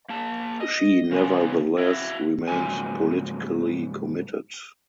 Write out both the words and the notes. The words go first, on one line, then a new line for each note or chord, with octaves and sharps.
She nevertheless remained politically committed.
A#3 A5
D#5
C#3 G#3 B3
E4 F#4
G#2 C#3 F3 F#3 A#3 G#5